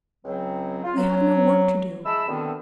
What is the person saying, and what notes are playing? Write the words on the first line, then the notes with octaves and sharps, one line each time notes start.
We have no work to do.
C#2 F#3 C4
F4
F#3
G#3 E4 A5 B5 E6
B2 D3 D#3 B3 C4